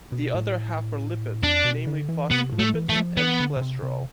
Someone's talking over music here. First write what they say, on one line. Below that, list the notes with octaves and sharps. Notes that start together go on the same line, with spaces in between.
The other half are lipids, namely phospholipids and cholesterol.
B2
A2
F2 D4
B2
D3
E3
C3 B3
A2
A3
E3
E3 A3
F3
E3 B3
D3
B2
C3
C3